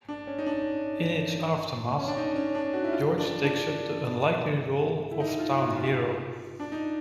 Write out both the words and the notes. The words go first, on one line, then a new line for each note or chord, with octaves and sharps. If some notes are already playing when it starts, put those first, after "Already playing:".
In its aftermath, George takes up the unlikely role of town hero.
D4
C#4
D#4
D4
C#4
D4
D#4
C#4
D4
F#4
E4
F4
D4
D4
E4
D#4
F4
F#4
F4
D4
D#4